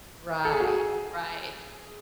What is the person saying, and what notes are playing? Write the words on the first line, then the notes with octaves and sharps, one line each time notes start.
Right, right.
A4
G#4
F#4
G#4